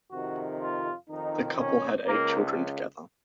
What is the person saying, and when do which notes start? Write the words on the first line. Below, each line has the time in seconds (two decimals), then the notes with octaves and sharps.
The couple had eight children together.
0.11 F2 C3 D#3 F#4
0.59 F4
1.09 F2 D#3 D#4
1.57 C#4
2.05 C#2 C#3 A#3